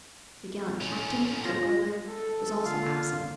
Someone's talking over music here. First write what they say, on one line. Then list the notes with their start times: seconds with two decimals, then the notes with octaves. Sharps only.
The gallant captain, her brother, was also absent.
0.81 A2 C#4
1.44 F4 A#6
2.09 A4
2.65 D3 A#3 F4 F5